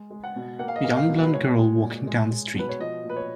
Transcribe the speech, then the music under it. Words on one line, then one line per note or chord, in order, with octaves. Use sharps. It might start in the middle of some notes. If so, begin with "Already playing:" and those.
A young blond girl walking down the street.
Already playing: G#3
G#3
F#5
B2
A#3 F#5
F5
D#5
A#3 F5
F5
B2
B4
G#3 C#5
G#3
A#2
G#3
G#3
B2 B4
C#5
F3 D#5
A#2
B4
C#5